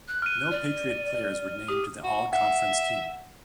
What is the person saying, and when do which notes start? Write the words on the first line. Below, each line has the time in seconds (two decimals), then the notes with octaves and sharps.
No Patriot players were named to the all conference team.
0.08 F#6
0.22 F6 D#7
0.51 D5
1.68 G4 D#6
2.03 F#4
2.33 E5 F#5